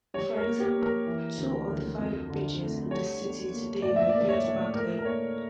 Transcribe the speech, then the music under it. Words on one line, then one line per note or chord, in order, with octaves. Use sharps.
For example, two of the five bridges in the city today were built back then.
G3 C#5
A#4
A#3
G4
A#3
A#4
E3
D2
D2
F2
D3
A3
G3 C#5
E2
A#3
A2 D5
E5
A#3 D5
C#5
A2
A2 A#4
A#4
A#3 C#5